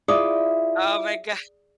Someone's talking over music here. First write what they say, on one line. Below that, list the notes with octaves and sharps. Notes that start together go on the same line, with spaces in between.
Oh my god,
E4 F4 G#4 D5 D#6